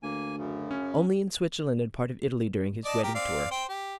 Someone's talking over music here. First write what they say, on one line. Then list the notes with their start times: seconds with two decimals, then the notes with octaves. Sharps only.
"Only in Switzerland, and part of Italy, during his wedding tour."
0.03 D2 A#3 G#5
0.38 F#2 C#3
0.71 C#4
2.85 D5 D#5 A5
3.03 G4 A#4
3.15 C4 D5 F5
3.51 C5 G5
3.69 G4